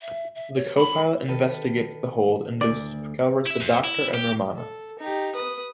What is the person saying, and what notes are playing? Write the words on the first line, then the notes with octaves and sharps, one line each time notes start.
The Co-Pilot investigates the hold and discovers the Doctor and Romana.
E5
E5
C#5
B5
D#3 A4 B4
D2 D5
E4 E5
F2
E4
G4
A4
D#4 G4
B4 D#6